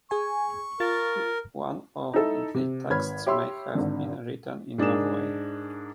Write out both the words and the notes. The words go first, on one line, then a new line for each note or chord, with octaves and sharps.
One of the texts may have been written in Norway.
G#4 G#5 C#6
F4 A#4 A6
D#4 E4 A4
C3
G#1 B4 C#5 B5 F6 G#6
G4 C#5 E5 B5 C6 E6
G#1 D3
G#2 D4 G#4 A#4 E7